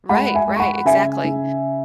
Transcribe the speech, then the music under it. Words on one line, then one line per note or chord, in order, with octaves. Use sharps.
Right, right, exactly.
G#3 F#5 B5
E5 G#5
G#3
C#6
F#5 B5
C#3 E5 G#5
C#3